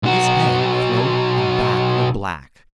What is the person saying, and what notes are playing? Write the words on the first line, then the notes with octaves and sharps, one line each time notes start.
His head, throat and back were black.
B1 F#4